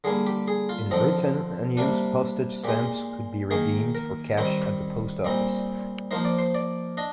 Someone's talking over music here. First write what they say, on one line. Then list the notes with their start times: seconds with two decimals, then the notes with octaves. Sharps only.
In Britain unused postage stamps could be redeemed for cash at the post office.
0.04 D3 G3 A#3 G#4
0.27 G4
0.48 G#4
0.69 F4
0.91 D3 F3 C4 D#4
1.77 C3 G3 A#3 D4
2.64 A#2 G#3 D#4 G4
3.51 D#3 A#3 D#4 G#4
3.95 A#4
4.38 D#3 G3 C4 D#4
5.24 A#2 G3 C4 D#4
6.11 F3 A#3 D#4 C5
6.25 D5
6.38 C5
6.55 D5
6.97 D4 D#5